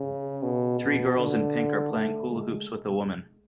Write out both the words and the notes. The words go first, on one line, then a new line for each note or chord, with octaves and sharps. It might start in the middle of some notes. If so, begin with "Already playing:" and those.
Three girls in pink are playing hula hoops with a woman.
Already playing: C#3
B2
B2
D3
A3
G#3